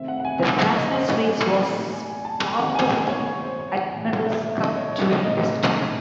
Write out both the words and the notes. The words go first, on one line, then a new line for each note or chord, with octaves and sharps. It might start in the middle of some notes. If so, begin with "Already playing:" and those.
The Fastnet race was part of the Admiral's Cup during this time.
Already playing: C3 D#3 A3 C4 E5
F#5
F#5
G#5
F#5
F#5
D#5
C5
C#5
A2 F#3 A3 C4 G#5
G#5
G#5
A5
G#5
D#3 G#3 C4 F#5
G#5
G#5
C#5
C#5
C5
C#5
F#5
A2 E3 A3 G#5
F#5
E5
E5
D#5
C#5
C#5
D#5
A2 G#3 C4 D#5